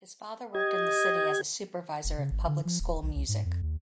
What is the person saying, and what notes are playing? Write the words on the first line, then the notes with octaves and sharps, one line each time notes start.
His father worked in the city as a supervisor of public school music.
G4 D#5 G#6
F1
C#3
G#1
D3
F3
D1
B1
C2
G#2
F2
D#2